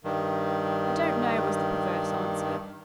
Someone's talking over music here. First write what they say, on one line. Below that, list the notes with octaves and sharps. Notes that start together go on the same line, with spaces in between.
"I don't know," was the perverse answer.
G2 D#3